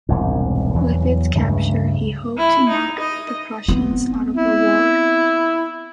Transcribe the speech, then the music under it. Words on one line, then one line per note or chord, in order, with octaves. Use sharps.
With its capture, he hoped to knock the Prussians out of the war.
E1 C2 G#2
E2 E3 F#3
C#2 G2 C#3 A3
E4
D#4
D#5
B3 C4
E4